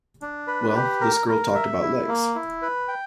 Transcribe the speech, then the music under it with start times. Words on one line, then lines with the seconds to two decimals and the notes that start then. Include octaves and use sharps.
Well, this girl talked about legs.
0.22 D4
0.47 B4
0.75 G4
1.01 A#4
1.28 A#4
1.55 E5
1.82 E4
2.08 A#3
2.35 E4
2.62 B4
2.88 G5